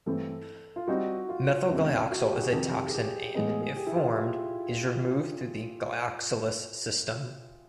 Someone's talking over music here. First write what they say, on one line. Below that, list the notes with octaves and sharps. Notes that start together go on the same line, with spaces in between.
Methylglyoxal is a toxin and, if formed, is removed through the glyoxalase system.
G2 E3 A3 C4 A4
F4
G3 C4 D#4 F#4
F4
E2 C3 D#3 G#3 C#4 E4
F#4
G4
G#4
G4
F2 C3 D#3
G#4
G4
A2 E3 G#3 B3 D#4 G#4
G#4
G#4
G4
E4
F4